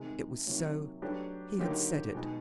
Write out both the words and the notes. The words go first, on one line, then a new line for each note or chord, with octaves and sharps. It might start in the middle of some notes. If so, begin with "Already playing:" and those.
It was so; he had said it.
Already playing: C3 D#3 G#3
C3 D#3 F#3 A#3
F#3 A3 D4 G4 B4
D3 F#3 A#3 D#4 G4
B2 G#3 B3 D#4 G#4